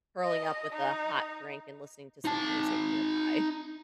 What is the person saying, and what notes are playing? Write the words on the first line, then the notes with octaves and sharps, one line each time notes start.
curling up with a hot drink and listening to some music nearby.
D#5
D#4
D#4 A5